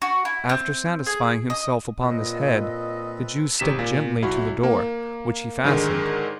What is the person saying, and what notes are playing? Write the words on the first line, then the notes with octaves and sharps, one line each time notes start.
After satisfying himself upon this head, the Jew stepped gently to the door: which he fastened.
F#4
E4
C4
G#4
D#5
A#2 C4 A4 B4 D#5
G#1 C3 B6 E7
A#2
B1 E4 F#4
A#3
G#2 D3 D#3 G#3